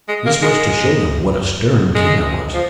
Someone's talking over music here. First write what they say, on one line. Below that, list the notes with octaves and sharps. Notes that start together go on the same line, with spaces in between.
This was to show them what a stern king I was.
G#3
A#3
G#3
G#3
F3